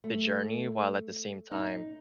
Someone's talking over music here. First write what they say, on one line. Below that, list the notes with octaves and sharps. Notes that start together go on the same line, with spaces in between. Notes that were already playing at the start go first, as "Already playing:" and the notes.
the journey while at the same time,
A3
D#4